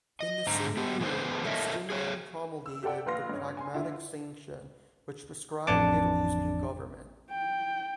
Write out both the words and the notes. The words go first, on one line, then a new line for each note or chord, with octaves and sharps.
In the same year, Justinian promulgated the Pragmatic Sanction which prescribed Italy's new government.
D#5
G#2 D3 C5 A#5
B3 G4
E3 G#3 B3 E4 C5
A4 A#4 C#5 D#5 E5
G#4 C5 C#5
E6
G4 A4 D5 F#5 G5
A#1 B4 F5 C6 F6 A#6
G2 C#4
G#5 C6
D3 E4 F4
A1 F2 D4 A5 D6
G5